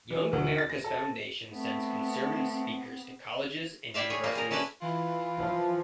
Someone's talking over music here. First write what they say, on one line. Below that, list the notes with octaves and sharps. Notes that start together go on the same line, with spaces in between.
Young America's Foundation sends conservative speakers to colleges and universities.
E3
D2
A6
A#6
A4
A3 B3 C4
E4 G4 D5 E5 F5
G#4 C#5
G3 A#3 F4 G5
G#4 A#4
C#4 E4 A4 B4 D5
E3 E4 F4
F3